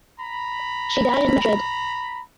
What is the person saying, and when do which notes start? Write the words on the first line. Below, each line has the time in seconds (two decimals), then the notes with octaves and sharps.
She died in Madrid.
0.20 A#5 B5